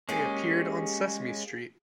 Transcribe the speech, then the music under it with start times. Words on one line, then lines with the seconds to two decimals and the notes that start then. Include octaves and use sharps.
They appeared on Sesame Street.
0.09 G#3 A#3 C#4 G4 G#4